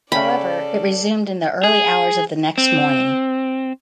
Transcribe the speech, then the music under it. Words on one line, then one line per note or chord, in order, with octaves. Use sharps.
However it resumed in the early hours of the next morning.
C#3 C#4 A4 D5 G5 B5
G#4
C4